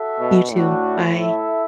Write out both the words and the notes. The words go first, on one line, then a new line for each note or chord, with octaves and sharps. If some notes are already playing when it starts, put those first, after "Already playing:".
You, too. Bye.
Already playing: F#4 A4 E5
B2
A2 A3 D4 F#4
E4 A4 E5